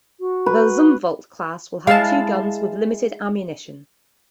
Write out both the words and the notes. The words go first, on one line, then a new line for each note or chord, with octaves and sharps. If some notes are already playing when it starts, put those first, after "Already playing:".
The "Zumwalt" class will have two guns with limited ammunition.
F#4
B4
G#3 E4 F5 A5